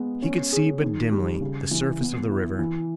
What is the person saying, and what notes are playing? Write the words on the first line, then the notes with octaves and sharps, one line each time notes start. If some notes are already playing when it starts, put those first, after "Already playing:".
He could see but dimly the surface of the river.
Already playing: G#3 B3
C#4
G#4
D#3
G3
C#3
E3
B3
E4
E3